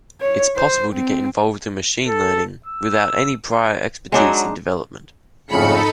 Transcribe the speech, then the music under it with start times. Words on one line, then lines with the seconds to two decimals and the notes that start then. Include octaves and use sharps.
It's possible to get involved in machine learning without any prior expertise in development.
0.20 C#5
0.56 C5
0.93 C4
2.07 A4
2.66 E6
4.12 F#3 G#3 D4 D#4
5.51 G#1 F2 A2 C#3 D#4 A4 B5 C#7